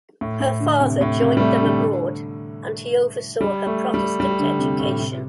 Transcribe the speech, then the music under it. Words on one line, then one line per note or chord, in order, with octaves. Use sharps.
Her father joined them abroad and he oversaw her Protestant education.
A2
A2
D3
C3
A2
C3
G3
A3
D3
G3
A3
G3
G3
D3
C3
A2
C3